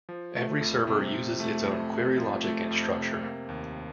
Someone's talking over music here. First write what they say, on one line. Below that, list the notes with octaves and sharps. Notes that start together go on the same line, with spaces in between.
Every server uses its own query logic and structure.
F3
A3
F2
C3
F3
A3
F2
C3
F3
A3
F2
C3
A#3
D#2